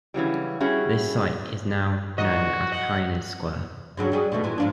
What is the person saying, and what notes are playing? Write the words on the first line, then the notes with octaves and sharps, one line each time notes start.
This site is now known as Pioneer Square.
C#3 E3 F#3 G3
G3 C#4 E4 F#4 G#4
E2 F#4 D#5
D#5 F#5
G2 C#3 F#3
F#3 G3 G#4
B2 D#3 A3
A#2 E3
G#2 F3 D4